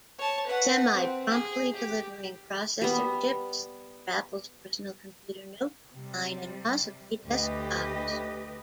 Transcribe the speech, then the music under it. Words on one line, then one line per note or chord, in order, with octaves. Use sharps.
Semi promptly delivering processor chips for Apple's personal computer notebook line and possibly desktops.
C#5 A5
B4 F#5
C4
G#4
G4
G3 B3
C3 G3
D2 G4 B4 D#5